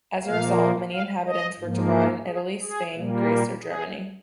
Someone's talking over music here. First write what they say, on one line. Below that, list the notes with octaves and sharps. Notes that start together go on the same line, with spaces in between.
As a result, many inhabitants work abroad in Italy, Spain, Greece, or Germany.
A#2 F3 A#3 F5
F5
D#5
G#2 F3 A#3
C5
G#4
G#4
A#2 G3 A#3
G4
G#4